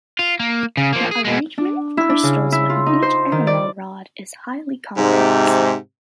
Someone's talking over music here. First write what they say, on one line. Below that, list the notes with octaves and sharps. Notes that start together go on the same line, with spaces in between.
The arrangement of crystals within each enamel rod is highly complex.
F4
A#3
C#3
F3 A#3
G#4
B2 G#3
D4
E4
D4
C#3
E4
F4
D#4
C5
D#3
D5
G#2 C3